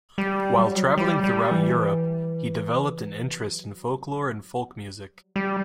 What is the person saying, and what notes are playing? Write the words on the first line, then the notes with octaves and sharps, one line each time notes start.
While traveling throughout Europe, he developed an interest in folklore and folk music.
G3
F#3
G3
F#3
G3
G3
E3
F#3
G3
F#3
G3